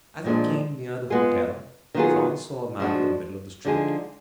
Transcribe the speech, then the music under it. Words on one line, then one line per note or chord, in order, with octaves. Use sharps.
As he came near the hotel, Franz saw a man in the middle of the street.
A#2 F3 G#3 D4
G#3 B3 F4 G#4
D#3 F#3 B3 F4 G#4
F3 G#3 D4 F#4
D3 F3 G#3 D#4 G#4